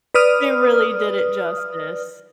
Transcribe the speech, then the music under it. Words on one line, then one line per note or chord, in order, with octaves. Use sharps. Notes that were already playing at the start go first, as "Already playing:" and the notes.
They really did it justice.
B4 D5 D#6 F6